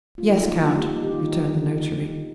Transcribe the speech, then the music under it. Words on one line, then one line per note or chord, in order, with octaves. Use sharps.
"Yes, count," returned the notary.
D#3 A3 F4
D#4
F4
C3 F3 A#3
D3 G3 A#3 G4
D#4
D#3 A#3 G4
F4
D#4